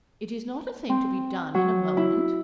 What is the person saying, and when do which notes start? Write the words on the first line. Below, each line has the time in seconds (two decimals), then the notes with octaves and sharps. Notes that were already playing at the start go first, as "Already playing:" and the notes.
'It is not a thing to be done in a moment.'
0.89 C4
1.55 F#3
1.97 E4